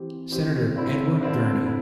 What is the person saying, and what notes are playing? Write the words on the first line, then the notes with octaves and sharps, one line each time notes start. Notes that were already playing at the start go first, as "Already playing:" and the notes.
Senator Edward Gurney.
Already playing: E3 C4 G4
E3 C4 G4
D3 C4 E4
D3 C4 E4
E4